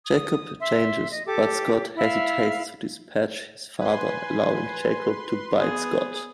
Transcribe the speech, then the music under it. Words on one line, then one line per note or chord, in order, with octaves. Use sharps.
Jacob changes, but Scott hesitates to dispatch his father, allowing Jacob to bite Scott.
D#6
E5 C6
D#5
G4 A4 D6
E4 E5 F5
B4 G#5 C6
B3 G#4